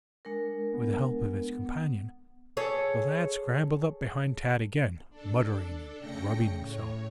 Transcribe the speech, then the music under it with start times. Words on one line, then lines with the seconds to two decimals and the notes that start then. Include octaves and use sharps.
With the help of his companion, the lad scrambled up behind Tad again, muttering and rubbing himself.
0.25 G#3 D4 A#4
0.73 B3
2.57 G#4 A4 C#5 E5
5.10 D4 A4
5.99 C#3 A3 G5 A#6 C#7
6.58 A2 C#5